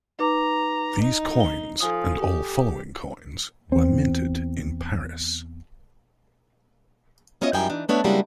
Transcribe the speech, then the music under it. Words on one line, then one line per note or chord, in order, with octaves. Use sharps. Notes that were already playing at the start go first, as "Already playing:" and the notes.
These coins, and all following coins, were minted in Paris.
D#4 B4 A#5 D6
D#4
G7
F3 A4 G#5 D#6
G4
E2 C4
B3 C#4 F4 C#5 D#5 E5
F#2 G3 D#4 E4 G5 G#5
E3 D4 D#4
A3 B3 D4 C#5 E5
C#3 G3 G#3 A#3 E4 F#4